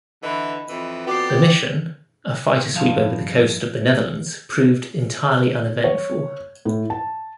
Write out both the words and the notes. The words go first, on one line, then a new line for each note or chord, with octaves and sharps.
The mission, a fighter sweep over the coast of the Netherlands, proved entirely uneventful.
D3 E3 D#5 B5
F2 E3
B3 F#4 G4 D5 D6 C7
A#4 G6
G2 F3 F5 A5
C#5
A2
A5